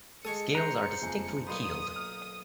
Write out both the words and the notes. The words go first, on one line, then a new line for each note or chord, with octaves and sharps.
Scales are distinctly keeled.
G#3 A4 C#5 D#6 C#7
C5 A#5 F#6 A#6
F#1 F2 G#5
B1 A#2 B5 C6 D#6
F6